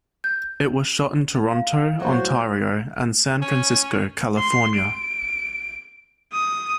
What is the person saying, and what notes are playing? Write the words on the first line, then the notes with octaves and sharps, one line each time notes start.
It was shot in Toronto, Ontario, and San Francisco, California.
G6
F5
A2 F#3 F#4 C5
C#4
C6
D7
D#6